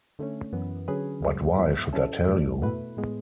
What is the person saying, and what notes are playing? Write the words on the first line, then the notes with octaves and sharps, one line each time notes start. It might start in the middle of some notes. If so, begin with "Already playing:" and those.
But why should I tell you?
D3 A3 C#4
F#2 E3 B3
D3 F#3 C#4 G#4 B4
F#2 C#3 G#3
G#2 E3 B3 E4
F#3 C#4 E4 A4
E2 C#3 F#3 A3 D4
B2 A3 E4 B4
A2 G#3 B3